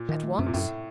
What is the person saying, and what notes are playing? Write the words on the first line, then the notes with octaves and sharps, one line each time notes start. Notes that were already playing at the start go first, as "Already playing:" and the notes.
"At once?"
Already playing: A#2
D#3
A3
F#2 C3
A#2
F#2 A2